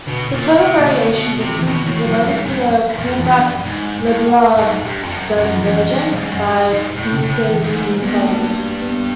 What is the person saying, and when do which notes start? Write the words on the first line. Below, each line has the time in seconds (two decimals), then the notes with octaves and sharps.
The total variation distance is related to the Kullback-Leibler divergence by Pinsker's inequality.
0.07 B2 D3
0.33 A#2
0.60 C3
0.78 A#2
0.86 A2 D3
1.12 B2
1.40 C3
1.48 F3
1.57 E3
1.66 B2 D#3
1.86 A2 E3
2.05 A2 F#3
2.26 G#2 F3
2.46 G2
2.98 F2
3.19 E3
3.25 G2 F3
3.65 G#2
4.05 A2
4.57 G#2
4.85 G2
5.03 F2
5.11 F#2
5.37 F#2
5.49 F#3
5.56 F3
5.63 F#2 E3
5.91 G2
6.12 G2
6.16 G#2
6.32 F#2
6.43 G2
6.70 G#2
6.96 A2
7.12 C#3
7.23 A2 D3
7.49 E3
7.63 G#2
7.76 A3
8.02 G2 B3
8.13 A#3
8.25 A3
8.36 A#3
8.82 B3